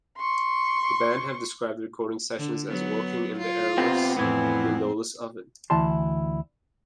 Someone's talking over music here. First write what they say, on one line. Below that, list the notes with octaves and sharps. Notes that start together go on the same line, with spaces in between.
The band have described the recording sessions as 'working in an airless, windowless oven'.
C6 C#6
D3
F#3 B3
F4
C3 B3 C4
F2 A2 E3 B3 C4
D2 E3 E4 A5 C6